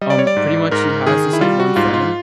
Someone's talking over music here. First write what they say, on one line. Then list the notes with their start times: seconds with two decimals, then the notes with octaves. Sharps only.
um, pretty much he has this like one friend.
0.01 G3 D#5
0.10 D5
0.19 C#5
0.27 D5
0.36 G#2
0.71 G#2 A#4
1.07 D#3 G#4
1.33 E4
1.41 G3 F4
1.60 F#4
1.76 G#2 F4
1.94 F4